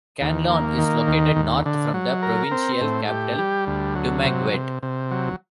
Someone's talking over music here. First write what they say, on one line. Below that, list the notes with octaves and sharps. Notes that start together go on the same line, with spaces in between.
Canlaon is located north from the provincial capital Dumaguete.
D#2
A#3
D#3
D#2
D#2
D3
F#3
A#4
C4
A2
G4
G3
D2
F#3
C3
C3
C3
F#3